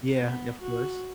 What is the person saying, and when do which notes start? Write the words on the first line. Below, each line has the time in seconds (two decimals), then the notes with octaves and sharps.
Yeah. Yeah, of course.
0.19 B3
0.62 F#4